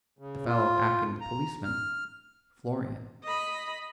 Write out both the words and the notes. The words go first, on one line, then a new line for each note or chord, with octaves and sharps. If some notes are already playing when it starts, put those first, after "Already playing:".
The fellow acting the policeman--Florian.
C#3
F4
A#5
F6
D#5 B5